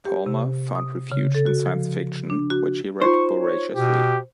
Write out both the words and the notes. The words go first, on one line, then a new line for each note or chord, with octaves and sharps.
Palmer found refuge in science fiction, which he read voraciously.
G4
C3
D#6
C#3
A4
F#4
F3
D4
F#4
D#4 F4 C5 C#6
C#5
B2 G4